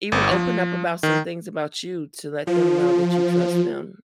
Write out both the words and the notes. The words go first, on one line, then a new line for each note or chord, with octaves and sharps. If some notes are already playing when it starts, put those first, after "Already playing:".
even open up about some things about you to let them know that you trust them.
G1
F3
D#3
F3 F4